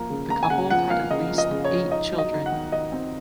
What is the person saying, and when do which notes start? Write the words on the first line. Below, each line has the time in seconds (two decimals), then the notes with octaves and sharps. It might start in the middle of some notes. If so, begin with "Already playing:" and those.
The couple had at least eight children.
Already playing: F3 A#3
0.10 C#3
0.30 A#3 A#5
0.43 G#5
0.50 C#3 F#5
0.70 F3 F#5
0.90 A#3 F5
1.11 C#3 D#5
1.30 F3
1.38 D#5
1.51 C#3
1.64 C#5
1.72 F3
1.91 D#4 D#5
2.12 F#3
2.18 D#5
2.32 D#4
2.46 F#5
2.52 D#3
2.72 D#3 D#5
2.92 C4